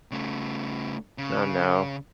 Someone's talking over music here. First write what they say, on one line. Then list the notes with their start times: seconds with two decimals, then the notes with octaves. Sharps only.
Oh, no.
0.11 C#3 A3
1.18 C#3